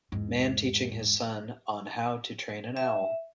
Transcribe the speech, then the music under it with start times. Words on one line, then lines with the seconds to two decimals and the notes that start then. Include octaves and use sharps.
Man teaching his son on how to train an owl.
0.12 E2 G#2
2.77 E5